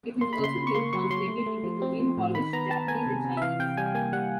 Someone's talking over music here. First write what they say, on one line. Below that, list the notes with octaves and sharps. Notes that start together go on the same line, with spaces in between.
It has also been translated into Korean, Polish, Japanese, and Chinese.
A#3 C6
B5
C#3 C6
C#3
C#6
A#3 C6
F#3 C#6
F#3 C6
A3
A3
F3
C4
F3
A2
D#3 B5
B3 A#5
B3 A5
B3 G#5
C3
C3
E5
E3 F5
C3 G5
G3 G#5
A#3 G#5
G3 F#5